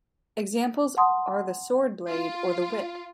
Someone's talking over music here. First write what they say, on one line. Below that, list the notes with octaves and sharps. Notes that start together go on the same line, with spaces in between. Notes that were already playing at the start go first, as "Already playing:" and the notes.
Examples are the swordblade or the whip.
F#5 A5 C6 D#6
F4